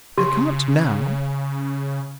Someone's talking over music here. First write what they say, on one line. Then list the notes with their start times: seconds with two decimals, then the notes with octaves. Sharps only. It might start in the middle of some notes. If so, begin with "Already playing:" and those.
"I can't now."
0.18 C#3 G4 C6